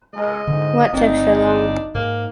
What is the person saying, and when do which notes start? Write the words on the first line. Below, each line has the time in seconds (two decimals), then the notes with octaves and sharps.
What took so long?
0.13 G#3 D#5
0.47 G#2 D3
0.94 G1 C4 D4 D#4
1.95 G#2 A#3